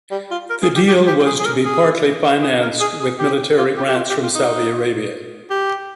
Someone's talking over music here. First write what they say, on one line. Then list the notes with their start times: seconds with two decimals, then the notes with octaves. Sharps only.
The deal was to be partly financed with military grants from Saudi Arabia.
0.11 G3
0.31 F4
0.50 A#4
0.63 G#4
0.75 G4
0.88 G4
1.07 G4
1.26 G#4
1.40 G#4
1.45 A#4
1.65 G#4
2.42 G#4
2.62 A#4
2.80 G#4
3.00 G#4
3.19 G4
3.58 F4
3.77 G4
3.88 G4
3.96 F4
4.09 G4
4.23 F4
4.35 D#4
5.50 G4